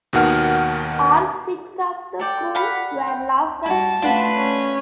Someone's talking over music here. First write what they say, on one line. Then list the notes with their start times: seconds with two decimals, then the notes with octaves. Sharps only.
All six of the crew were lost at sea.
0.13 D#2 B2 D#3 F#5 F6
2.19 A4 D5 G5
2.55 F5 F#5 B5
3.07 G5
3.66 G3 E4 F#4 A5
4.02 A3 D4 F4 B4 F#5 C6
4.35 C#4